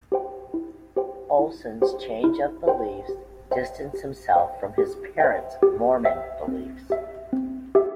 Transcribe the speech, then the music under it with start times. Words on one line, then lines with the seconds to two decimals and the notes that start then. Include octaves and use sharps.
Olson's change of beliefs distanced himself from his parents' Mormon beliefs.
0.12 G4 C5 G5
0.54 E4
0.96 G4 C5 G5
1.39 E4
1.82 G4 C5 G5
2.24 E4
2.66 G4 C5 G5
3.09 G4
3.51 C5 E5 G5
3.93 G4
4.36 C5 E5 G5
4.78 G4
5.20 C5 E5 G5
5.63 G4
6.05 C5 E5 G5
6.48 C4
6.90 G4 E5
7.33 C4
7.75 G4 E5